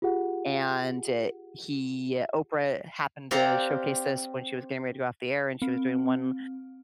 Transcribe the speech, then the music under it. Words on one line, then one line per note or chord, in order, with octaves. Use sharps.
and, uh, he, uh Oprah happened to showcase this when she was getting ready to go off the air and she was doing one
F4 G4 G#4 F#5
C4 G4 D5 F5 F#5 A#5
C4